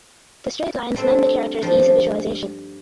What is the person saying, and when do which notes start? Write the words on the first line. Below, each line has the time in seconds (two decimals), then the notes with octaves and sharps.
The straight lines lend the characters ease of visualization.
0.96 G3 A3 C4 D4 E4
1.62 G2 F3 G3 D#4